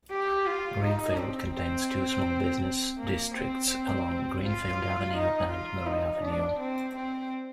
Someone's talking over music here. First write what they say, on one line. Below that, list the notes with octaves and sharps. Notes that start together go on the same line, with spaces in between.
Greenfield contains two small business districts along Greenfield Avenue and Murray Avenue.
G4
F4
D#4
C4
C4
A#3
C4
C4
F4
D#4
F4
D#4
D4
C4
C4